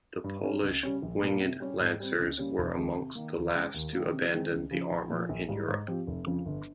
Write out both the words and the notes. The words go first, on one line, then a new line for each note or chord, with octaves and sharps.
The Polish "winged" lancers were amongst the last to abandon the armour in Europe.
G2
G3 C#4
C#2
C#3 G3 C#4
A#1
A#2 G3 A#3
C3
G3 C#4 G4
G#2
G3 C4
C#2
C#3 G3 A#3 C#4
F1
D#2 D#3 G#3
C3
D#3 A#3
D#2
C#3 G#3
D#2
D#3 A#3
C3
D#3 G#3 C4
C#2
C#3 F3
A#1
A#2 F3
A#1
G#2 G3
G#2
F3 C4 G4
F1
F2 C#3 F3
G1